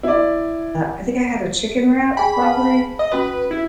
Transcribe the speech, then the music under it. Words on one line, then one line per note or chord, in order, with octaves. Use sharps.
I think I had a chicken wrap, probably?
E4 D5
G#4 G5 G#5 B5
B4 F5 A5
D#5
C#4 F#4 B4 D#6
E4